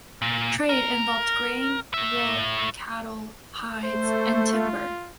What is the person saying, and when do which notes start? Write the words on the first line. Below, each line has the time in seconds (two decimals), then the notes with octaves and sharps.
Trade involved grain, wool, cattle, hides, and timber.
0.22 A#2
0.69 A#4
1.94 A2 E5
3.84 A3 C5
4.53 F4